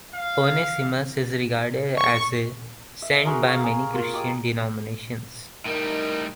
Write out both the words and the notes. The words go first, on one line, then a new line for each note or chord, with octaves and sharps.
Onesimus is regarded as a saint by many Christian denominations.
F5
C#6
E5
F#4 G#4 A#4 C6
C#5 F5 A#5 C#6
G#4
A#3 F4
G4 D6 D#6
A2 G3 D#4 A#4